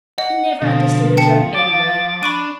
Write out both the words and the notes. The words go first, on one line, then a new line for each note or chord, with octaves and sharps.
He never understood a joke anyway.
D#5 F#5
B2 D3 F3
G5 A5 C#7
D6 A6
D4 B5 C#6 D#7